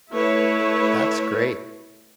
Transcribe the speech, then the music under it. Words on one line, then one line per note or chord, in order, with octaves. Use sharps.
That's great.
A3 E4 B4 C#5